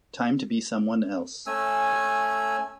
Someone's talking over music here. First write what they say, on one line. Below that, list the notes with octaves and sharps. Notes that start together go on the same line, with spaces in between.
Time to be someone else.
A3 C#4 G#5 E6